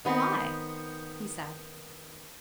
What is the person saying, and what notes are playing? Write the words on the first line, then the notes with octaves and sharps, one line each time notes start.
'Why,' he said.
D#3 B3 C4